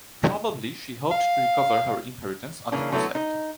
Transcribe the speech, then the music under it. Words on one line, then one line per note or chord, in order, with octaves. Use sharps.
Probably she hoped to recover her inheritance on the crusade.
F5
C#3 E3 A#3 D4
D3 F#3 A3 B3 E4 A4
D#4